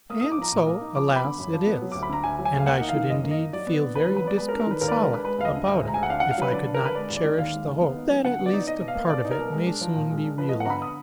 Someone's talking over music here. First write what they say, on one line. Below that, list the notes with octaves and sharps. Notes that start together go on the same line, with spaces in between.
And so, alas, it is; and I should indeed feel very disconsolate about it if I could not cherish the hope that at least a part of it may soon be realized.
A#3 D#6
D#4 D#6
D6
F3 A#5
A#2
A#3
D#4
F3 D6
B3
B5
D3
F#2
F3
B3
F#3
D2 D6
B5
D3 A#5
D2 G#5
F#3
G#5
D2
F5
A#3 F#5
D#4
F5
D#3
F#2 D#5
A#3
D#5
D#4
F#3 D5
B3
D3
D#2 B4
B4
F#3
B4
B3 D5
G#3 B4
A#4
D4
A#4
D#3 B4
D#2 A#4
D5
G#3 B4
A#4
D4 B4
G#3 B4
D2 F5
D#5
D3
D2
G#3
A#5
D2 G#5
F#5
D4 F5
D3 F#5
F5
F#3 B4
D3 D5
D4
A#4
D3 B4
G#3 D5
D#2
D5
D#3
D#2 F5
G#3
D#2
B3
D#4
F#3
D3 F#5
B3
D5
D#4
D#4 D#5
B2
F5
A#3
B2 D5
D#4
A#4
B2
G#3
D4
F3
A#2
G#3
D4
F3 B4
B3 D#5
F#5
D3 A#5 B5
D#6